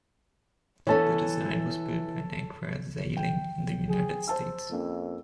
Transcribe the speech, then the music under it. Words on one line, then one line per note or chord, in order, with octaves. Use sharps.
The design was built by Nacra Sailing in the United States.
E3 B3 C#4 A4 C#5
G5
G#4
C5 A5 E6
F2 A#3 C#4